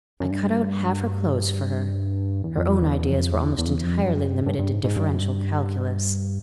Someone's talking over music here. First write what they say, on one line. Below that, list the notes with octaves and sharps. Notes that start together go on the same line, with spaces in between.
I cut out half her clothes for her; her own ideas were almost entirely limited to differential calculus.
F#2
G2
E2
F2
E2
F2
E2
E2
F2
E2
F2
G2
F#2
G2
G2
G2
G#2
G#2
G2
F#2
G2